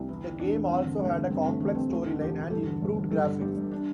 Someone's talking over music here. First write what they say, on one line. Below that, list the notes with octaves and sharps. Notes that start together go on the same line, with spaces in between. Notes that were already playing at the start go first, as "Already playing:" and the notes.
The game also had a complex storyline and improved graphics.
Already playing: C2
E2 E4
E3
E1 D4
E1
G2 C4
D3
G1 A3
G1
G2 C4
D3 A3
A1 A3
A1 C4
D2 A3
D3
E1 G4
E1
G2 A4
D3
G1
G1
G2 A4
D3
G1 G4
G1
D4